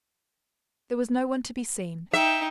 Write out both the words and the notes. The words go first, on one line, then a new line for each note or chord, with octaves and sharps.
There was no one to be seen.
D#4 E5 G5